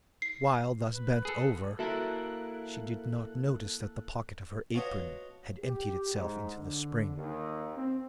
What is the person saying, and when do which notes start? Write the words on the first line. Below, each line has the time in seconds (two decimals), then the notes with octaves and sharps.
While thus bent over, she did not notice that the pocket of her apron had emptied itself into the spring.
0.22 C7
0.92 B4
1.25 G#4 A4
1.79 A#3 E4 F#4 A4 A#4 E5 A5 F#6
4.74 D4 F4 F#4 B4 C#5 D#5
5.63 G4
6.13 G#2
6.56 D3
7.14 D#2
7.75 C4